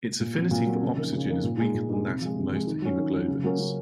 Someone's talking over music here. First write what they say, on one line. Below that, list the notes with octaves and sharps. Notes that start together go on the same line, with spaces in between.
Its affinity for oxygen is weaker than that of most hemoglobins.
A#2
F#3 C4
A#2
F#3 C4
C#3
F3 A#3 D#4
C#3
F3 A#3 D#4
A#2
G#3 D#4
A#2
G#3 D#4
C3
F3 G#3
C3
F3 G#3
D#3
F#3 C#4
D#3
F#3 C#4
C#3
F#3 A#3 C#4
C#3